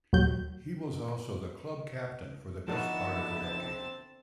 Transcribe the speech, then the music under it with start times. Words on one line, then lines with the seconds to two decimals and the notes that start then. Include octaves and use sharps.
He was also the club captain for the best part of a decade.
0.13 D#2 A#2 F#3 G3 G6
2.68 D3 F3 B3 D#4 F#4 E5 A5
3.49 C4